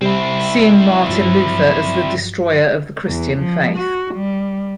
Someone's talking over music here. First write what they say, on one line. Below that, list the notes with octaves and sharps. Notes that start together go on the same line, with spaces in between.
Seeing Martin Luther as the destroyer of the Christian faith.
C3 G3 C4 E4
G2 F3 F#3
E2
F3
F#4
G3